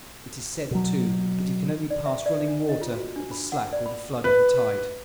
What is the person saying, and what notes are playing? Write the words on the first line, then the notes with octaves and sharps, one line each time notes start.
It is said, too, that he can only pass running water at the slack or the flood of the tide.
B2 F#3
D5
E5
D5
D4
D#5
F4
F#4
D4
B5
F#5
D5
B5
B4